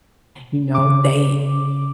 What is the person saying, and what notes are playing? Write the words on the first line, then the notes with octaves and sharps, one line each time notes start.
You know, they
C#3 D6